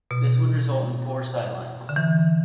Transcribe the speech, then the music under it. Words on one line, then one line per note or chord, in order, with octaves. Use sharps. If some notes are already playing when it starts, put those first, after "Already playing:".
This would result in poor sightlines.
B2
D3
E3